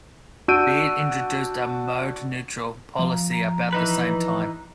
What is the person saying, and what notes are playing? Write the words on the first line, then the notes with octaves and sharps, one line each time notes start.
Beard introduced a "mode neutral" policy about the same time.
D4 F#4 E6 G6 D7 D#7
F3 F5 A#5
E3 D#4 B4